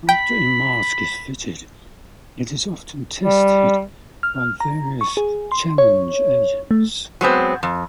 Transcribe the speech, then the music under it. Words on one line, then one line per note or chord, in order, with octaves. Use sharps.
After a mask is fitted, it is often tested by various challenge agents.
G5 B5
G3
F6
A#5
C#6
G#4
C6
C#5
A3
F#3 G#3 B3 C4
F2